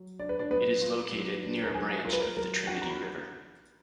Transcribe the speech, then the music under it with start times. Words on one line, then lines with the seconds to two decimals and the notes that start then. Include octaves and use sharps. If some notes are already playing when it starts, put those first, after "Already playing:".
It is located near a branch of the Trinity River.
Already playing: F#3
0.19 D4 D5
0.29 B4
0.39 D4 D5
0.50 F#3 B3 B4
0.82 F4
1.12 F#3
1.43 D4
1.63 A#4
1.74 F#3 G#4
2.05 F4 A#4
2.13 B4
2.20 A#4
2.37 F#3 A#4
2.67 D4 F#4 F#5
2.82 A#5
2.90 B5